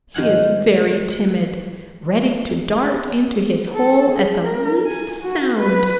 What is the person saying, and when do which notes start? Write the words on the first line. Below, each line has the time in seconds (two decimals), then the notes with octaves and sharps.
He is very timid, ready to dart into his hole at the least sound.
0.14 G#2 D#3 F3 F#5 G#5
3.74 A4
4.11 G#4
4.43 A#4
4.86 G#5
5.22 F#4
5.59 B4